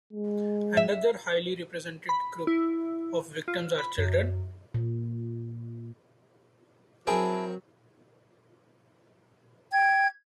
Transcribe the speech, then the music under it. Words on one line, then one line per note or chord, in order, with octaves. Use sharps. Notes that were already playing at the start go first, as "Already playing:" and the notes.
Another highly represented group of victims are children.
G#3
E5
B5
E4
F4
B5
F#2
A#2
F#3 C4 E4 G#4 A#4 G5 A5
G5 G#6